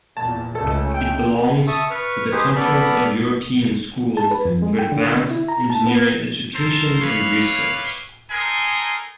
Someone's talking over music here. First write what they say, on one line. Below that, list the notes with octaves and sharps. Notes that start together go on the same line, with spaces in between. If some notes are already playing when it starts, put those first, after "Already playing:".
It belongs to the Conference of European Schools for Advanced Engineering Education and Research.
E2 A#2 A5
C#2 C#3 A3 A4 A5
G5
E5 A5 C#6 D#6 E6
B4 C#6 F6
D#4 G4 G#4 B4 C5
B3 A4 D5 B5 F6
A5
B4
F2
G#3
G5
D3
E4
A#5
A5
B3
A4 A#4 C5
G3 E4 B4 C#5 F5
D#4 A4 A#4 G#5 C6